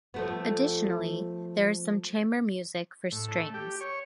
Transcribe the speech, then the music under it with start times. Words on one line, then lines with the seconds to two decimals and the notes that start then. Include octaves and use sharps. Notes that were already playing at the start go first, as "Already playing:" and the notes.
Additionally, there is some chamber music for strings.
0.14 F3 A3 B3
3.12 A2
3.28 A3
3.54 G4
3.81 C#5